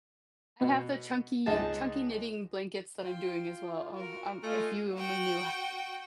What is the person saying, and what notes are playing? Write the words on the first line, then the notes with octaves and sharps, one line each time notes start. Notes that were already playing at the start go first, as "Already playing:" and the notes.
I have the chunky chunky knitting blankets that I'm doing, as well. Oh, um, if you only knew
B2
C#2 D#4 G#4 A5
F4 G5 C6
F#4 A#4
A3 F4 D#5 F5 G#5
F#4 G5